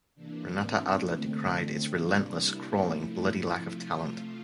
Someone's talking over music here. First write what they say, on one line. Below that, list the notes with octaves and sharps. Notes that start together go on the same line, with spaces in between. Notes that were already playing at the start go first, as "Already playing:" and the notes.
Renata Adler decried "its relentless, crawling, bloody lack of talent".
C3 E3 A#3 D4
C4
D3 A3
C3 G3 A#3 D4
E4
C3 F3 A3
C3 F3 A3 F4
F4